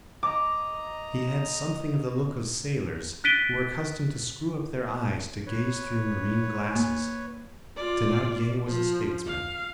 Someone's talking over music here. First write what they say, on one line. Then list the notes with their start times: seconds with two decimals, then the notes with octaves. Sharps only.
He had something of the look of sailors, who are accustomed to screw up their eyes to gaze through marine glasses. Thenardier was a statesman.
0.23 D#5 A#5 D6
3.24 F#6 A6 B6 D7 D#7 G7
5.47 B4 C#5
6.75 A#3
7.76 F4 D5
8.66 F3
9.26 F5